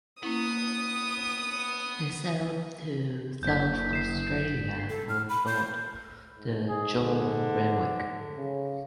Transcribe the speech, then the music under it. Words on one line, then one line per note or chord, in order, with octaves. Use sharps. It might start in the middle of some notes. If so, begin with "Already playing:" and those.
They sailed to South Australia on board the John Renwick.
A#3 B3 C#4 E4 D#6
F#1 G6 B6
C7 E7
A4
F6
B5
G6
G#2
G#4
D3
C#3